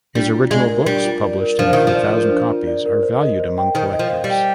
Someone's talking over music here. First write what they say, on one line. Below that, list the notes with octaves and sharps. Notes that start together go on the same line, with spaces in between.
His original books, published in a few thousand copies, are valued among collectors.
G3 D4
F4
G#3 D5
A#4
G3 D4
F4
D5
A#4
F3 D4
D#3 F4
F3
D5
A#4
D4
F4
D5
A#4
C5
D#5
C5
G5
D#3 C5
D#5
F3
C5
G3
G5